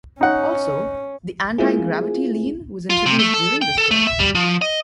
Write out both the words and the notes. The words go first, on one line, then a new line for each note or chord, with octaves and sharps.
Also, the anti-gravity lean was introduced during this tour.
C#4 D#4 F#5
G#3 A#3 C4 E4 F4 G#4
F4
C3
A3
A4
G5
A4
A3
E5
G3
F3
D#5